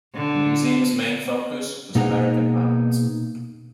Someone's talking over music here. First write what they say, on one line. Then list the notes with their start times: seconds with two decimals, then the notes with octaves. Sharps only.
The museum's main focus was American art.
0.14 D3
1.95 B2 A#3 D#4 G#4 F#5 A#5